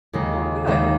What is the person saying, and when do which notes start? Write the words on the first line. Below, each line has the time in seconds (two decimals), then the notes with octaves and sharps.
Oh, good.
0.13 D#2 C#3 G#3 D#4
0.67 D#2 C#3 G#3 D#4